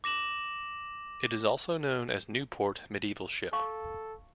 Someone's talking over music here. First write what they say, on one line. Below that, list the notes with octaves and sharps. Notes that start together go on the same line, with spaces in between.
It is also known as Newport Medieval Ship.
D6 A#6 E7 F#7
A4 F5 A5 C#6